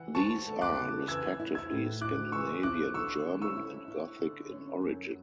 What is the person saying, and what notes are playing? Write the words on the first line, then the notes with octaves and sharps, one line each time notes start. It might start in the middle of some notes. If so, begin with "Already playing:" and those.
These are, respectively, Scandinavian, German, and Gothic in origin.
Already playing: E3 F#5
D2 A5 C#6
A3
D6 F#6
C#3
E3 E6 G#6
E4
E6 G#6
A2
E4 D6 F#6
E3 C#6 E6
E4 D6 F#6
D3 C#6 E6
C#4
C#6 E6
E4
E4
D3
C#4
F#2